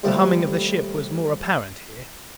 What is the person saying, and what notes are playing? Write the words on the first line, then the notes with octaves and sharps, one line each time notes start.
The humming of the ship was more apparent here.
D#2 F3 G3 A3